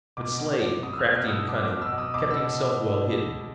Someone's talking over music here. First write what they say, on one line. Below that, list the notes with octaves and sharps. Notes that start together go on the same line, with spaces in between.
But Slade, crafty and cunning, kept himself well hidden.
B2 D6
B2
B2
B2 D#6
E6
F6
B2
F6
B2 D#6
E6
B2 D6
D6
B2
E6
B2
D#6
B2 D6
E6
B2